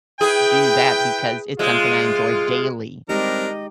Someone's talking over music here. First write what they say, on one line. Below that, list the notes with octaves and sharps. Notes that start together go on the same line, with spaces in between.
do that because it's something I enjoy daily.
E4 G#4 B4 G5
C3 G#3 F4
G3 G#3 C4 D4 D#4 G4 A#4 D#5